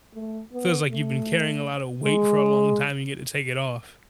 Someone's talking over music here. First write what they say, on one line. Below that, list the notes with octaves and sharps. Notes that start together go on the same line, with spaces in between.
feels like you've been carrying a lotta weight for a long time and you get to take it off.
A3
B3
A3
G#3